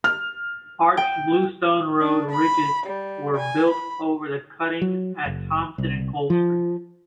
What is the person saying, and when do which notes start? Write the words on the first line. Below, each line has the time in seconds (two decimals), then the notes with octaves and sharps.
Arched bluestone road bridges were built over the cutting at Thompson and Cole Streets.
0.04 F6
0.97 G5
2.00 D4
2.29 B5
2.86 G3
3.36 G#5
3.70 B5
4.81 F#3
5.26 F#1
5.78 C2
6.30 F3